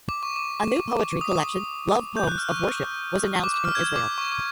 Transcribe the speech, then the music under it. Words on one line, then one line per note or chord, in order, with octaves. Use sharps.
A new poetry collection, "Love Poems of Worship", was announced in Israel.
D6
C#6
D6
D#6
G6
F#6
F6
C#6
D6
D6
F6
G#6
D6
C#6
D6